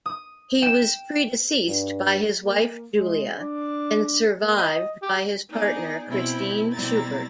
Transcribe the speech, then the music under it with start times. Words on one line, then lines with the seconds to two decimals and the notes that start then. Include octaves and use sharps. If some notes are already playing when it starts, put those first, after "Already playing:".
He was predeceased by his wife, Julia, and survived by his partner, Christine Schubert.
0.06 D#6
0.62 G5 E7
1.67 G2
2.43 A#3
2.92 G#3
3.37 D4
4.40 A#3
4.57 D#5
5.02 G4
5.50 B3 D#4 G#4 D5
6.09 B2 C4 E4 B5
6.72 B2 G3 C4 E4 A#5 A6